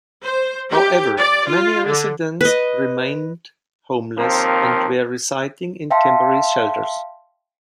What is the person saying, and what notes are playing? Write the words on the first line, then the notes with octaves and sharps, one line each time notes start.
However, many residents remained homeless and were residing in temporary shelters.
C5
G4
D5
F4
D3
B4 D#5
D#2 F3 C4 A#4
E5 F5 G5 A5 C6